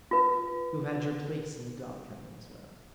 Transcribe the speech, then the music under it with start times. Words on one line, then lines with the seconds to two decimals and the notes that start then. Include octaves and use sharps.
You have had your place in the dog-kennel as well.
0.11 F4 B4